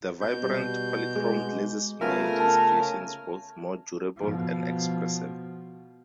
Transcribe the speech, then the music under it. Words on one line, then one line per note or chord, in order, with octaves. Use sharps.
The vibrant, polychrome glazes made his creations both more durable and expressive.
B2 G6
G3
G#3 G#4
C#3 A3 B3 F4 A#4 E5 G#5
A5
B2 F3